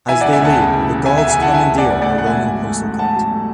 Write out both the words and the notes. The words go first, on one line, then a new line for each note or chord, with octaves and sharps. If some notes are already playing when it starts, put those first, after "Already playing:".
As they leave, the Gauls commandeer a Roman postal cart.
E3 E5 G#5
E1 D5 F#5
E5 G#5
D2 F#5 A5
C#3
E3
E1
D2 E5 G#5
E5 G#5
C#3
E5 G#5
E3 F#5 A5
E1 E5 G#5
D2
D5 F#5
C#3
A3 D5 F#5
A1 F#5
E5 G#5
G#2
F#3
A3
A1
G#2 F#5 A5
F#3
A3